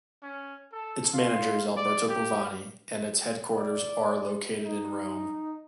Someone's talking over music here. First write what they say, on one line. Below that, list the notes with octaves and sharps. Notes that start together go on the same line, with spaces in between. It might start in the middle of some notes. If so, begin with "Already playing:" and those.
Its manager is Alberto Polvani and its headquarters are located in Rome.
C#4
A4
F4
D5
G4
D5
D#4